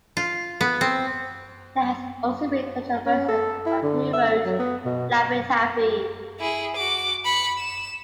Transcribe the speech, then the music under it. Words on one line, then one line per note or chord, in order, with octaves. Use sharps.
There has also been controversy on who wrote "Laffy Taffy".
F4
B3
C4
C#4
A4
E4
D3
E5
F#3
B3
B2
E4 G#4
F#4 D6
B5 C#7
E7